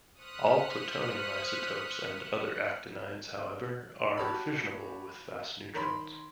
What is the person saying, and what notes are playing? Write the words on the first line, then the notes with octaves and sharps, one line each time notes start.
All plutonium isotopes and other actinides, however, are fissionable with fast neutrons.
C5 C#6 D#6 F6 F#6 B6
F#4 G4 C#5 A5 B5
D#3 A#4 C#5 B5 C6